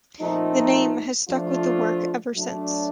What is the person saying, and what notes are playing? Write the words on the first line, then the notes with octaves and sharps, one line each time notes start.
The name has stuck with the work ever since.
A#2 F3 A3 C4 D#4
F3 A3 D4 F4
F#3 A3 D4